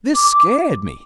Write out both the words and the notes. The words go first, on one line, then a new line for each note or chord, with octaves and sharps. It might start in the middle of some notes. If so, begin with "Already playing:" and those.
This scared me.
D6
D6